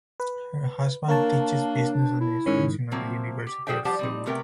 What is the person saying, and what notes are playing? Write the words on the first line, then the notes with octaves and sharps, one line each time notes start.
Her husband teaches business administration at the University of Seoul.
B4
A#3 D4 A#4 C#5 A5
E4
G#2 D#3 C#4
C3 F3 F#3 A#3 C4
G4
F#4 G#4 A4 C5 E5 G5
F3 G3 G4 C5 F#5 A5
G3 C4 D#4
C3 A3 B3 A#4 G5